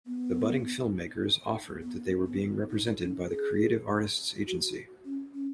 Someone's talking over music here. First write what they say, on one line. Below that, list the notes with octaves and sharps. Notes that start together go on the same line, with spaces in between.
The budding filmmakers offered that they were being represented by the Creative Artists Agency.
B3
B3
B3
D#4
C#4
G#4
F#4
C#4
C#4